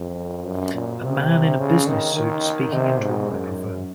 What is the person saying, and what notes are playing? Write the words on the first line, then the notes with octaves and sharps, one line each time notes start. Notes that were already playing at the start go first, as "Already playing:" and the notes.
A man in a business suit speaking into a microphone.
Already playing: F2
F#2
A#2
C3
C#3
D#3
D#3
C3
G#2
F#2